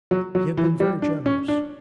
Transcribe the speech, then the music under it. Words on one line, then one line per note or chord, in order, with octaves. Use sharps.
He had been very generous.
F#3
F#3
E3
G3
D4
C#4
D4